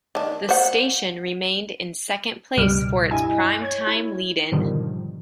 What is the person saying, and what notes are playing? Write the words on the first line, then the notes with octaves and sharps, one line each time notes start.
The station remained in second place for its prime-time lead-in.
D#3 D4
C5 F#5
C#2 G2 B2 G3 F6 D7
G2 E4 D#5 G#5
C#5 G#6
E4
G#2 B2 D3 D#3 F3 G3